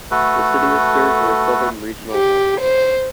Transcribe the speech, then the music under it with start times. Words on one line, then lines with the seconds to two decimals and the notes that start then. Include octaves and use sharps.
The city is served by Southern Regional Hospital.
0.11 A3 F#4 A4 B4
2.12 G4
2.60 C5